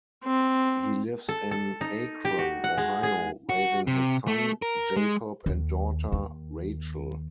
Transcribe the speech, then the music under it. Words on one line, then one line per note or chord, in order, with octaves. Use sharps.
He lives in Akron, Ohio raising his son, Jacob and daughter, Rachel.
C4
A4
A4
D#4
G4
F#4
F#5
G#3
G#4
F#4
C3
A3
A#4
G#3
D#2
D#2